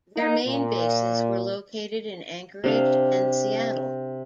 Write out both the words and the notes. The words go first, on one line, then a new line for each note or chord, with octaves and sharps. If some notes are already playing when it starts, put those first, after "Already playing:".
Their main bases were located in Anchorage and Seattle.
D#4
A#2
C3 D4 F5